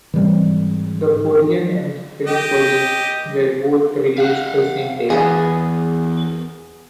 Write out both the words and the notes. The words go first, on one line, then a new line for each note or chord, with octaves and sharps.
The Korean and Japanese versions were both released the same day.
G#2 E3 G3 C4
G4 D#5
F5 F#5
E2 B3 G#4